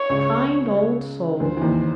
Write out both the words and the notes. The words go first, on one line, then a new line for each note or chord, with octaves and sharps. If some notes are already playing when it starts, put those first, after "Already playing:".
Kind old soul!
Already playing: C#5
C#2 C#3
D2 D3 C5
E3
D#2 D#3